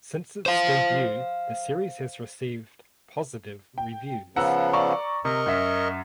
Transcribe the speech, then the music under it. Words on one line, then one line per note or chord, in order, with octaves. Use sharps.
Since its debut the series has received positive reviews.
C5 F5
G5
C#3 F3 B3 F#5 A#5 E6
D5 A#5 C#6
C3 A#4 D#5 C#6
F#2 E5